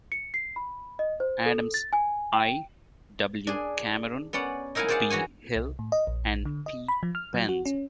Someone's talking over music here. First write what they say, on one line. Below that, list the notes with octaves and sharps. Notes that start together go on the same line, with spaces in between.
Adams, I., W. Cameron, B. Hill and P. Penz.
C#7
C7
B5
D#5
C5
A4
A6
G#5
G5
D4 G#4
B3 C#4 D5 F#5
D#4 E4 A#4 F5 F#5 G#5
G#4 C5 D5 F5 F#5
E3 F#4 C#5 G#5
C2
A2
D#5
A#1
D3
D#5
B5
F3
F6
F#3
F#4
C#4